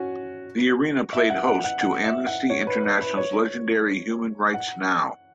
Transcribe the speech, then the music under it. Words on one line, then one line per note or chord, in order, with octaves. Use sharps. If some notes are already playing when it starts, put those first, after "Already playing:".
The arena played host to Amnesty International's legendary Human Rights Now!
Already playing: C#4 F#4
E5
F#5
F#5
F#5
F#5
E5
F#5
C#5
B4
B4
B4
C#5
F#5